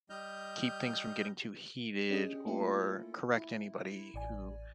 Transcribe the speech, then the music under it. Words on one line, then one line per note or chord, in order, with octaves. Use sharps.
keep things from getting too heated or correct anybody who
G3 D#5 F6 G6
C#4 D4 G4 G#4 D#5 G5
A3 A#3 C#4 E4 F4 A4
E4
A1 D5 G#5